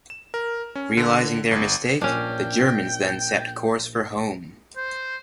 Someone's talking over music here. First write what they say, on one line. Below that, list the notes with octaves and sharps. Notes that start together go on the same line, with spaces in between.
Realising their mistake, the Germans then set course for home.
E7
A#4
C#4
D3
G1
A#1 C#4 D4 G5
C5